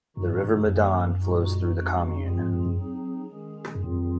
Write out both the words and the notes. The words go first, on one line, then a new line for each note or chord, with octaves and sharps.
The river Madon flows through the commune.
F#2 D#3 G#3 D#4 F#4
G#2
G#2
G#2
F2
F#2 D#3 A#3 C#4
A#2 G#3 D#4 F#4
F2 G#3 D#4 F#4
F#2 F3 G#3 C4 F4 G#4
G#2
F#2
F#2
F#3 C4 D#4 G#4
D#3 G#3 C#4 G#4
F#2
F2 D#3 F#3 C4 F4 G#4